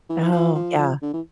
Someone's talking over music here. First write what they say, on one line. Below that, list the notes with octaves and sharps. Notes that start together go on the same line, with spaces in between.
Oh, yeah.
E3
F3
F3
F3
D3
E3